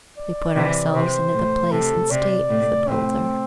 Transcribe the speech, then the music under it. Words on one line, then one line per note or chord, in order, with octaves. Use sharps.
We put ourselves into the place and state of the builder.
D5
C3 E3
C3 C5
A2
C3 A4
C3 D5
A2
A2 C4